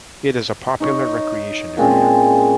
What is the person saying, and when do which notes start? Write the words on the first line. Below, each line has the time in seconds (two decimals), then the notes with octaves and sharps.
It is a popular recreation area.
0.80 D#4 C#5
1.77 A#2 G#3 C4 C#4